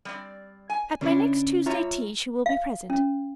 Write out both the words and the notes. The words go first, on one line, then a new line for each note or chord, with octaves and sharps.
At my next Tuesday tea she will be present.
G3 C4 D5
G#5
C#3 C#4 D4 E4 B4
G3 F4 C#5 E5 A#5
F5
C#4